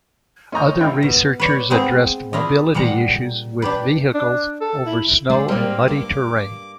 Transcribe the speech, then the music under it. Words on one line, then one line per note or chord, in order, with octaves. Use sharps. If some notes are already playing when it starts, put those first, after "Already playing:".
Other researchers addressed mobility issues with vehicles over snow and muddy terrain.
A2 C#4 D#5 G#5 A#5 C6 C#6 G6
G#1 D#4 E4 G5
B2
B4 C#5 D5
G#3 B3 C4 D#4 G#4
D4 E4 F4 D#5
A#2 G3 G#3 F#5 A#5
D4 G4 B4
D4
A4
E4
D3 G#3 C5 D5
G#2 G3 A#3 C4 F5
G2 A#3 D6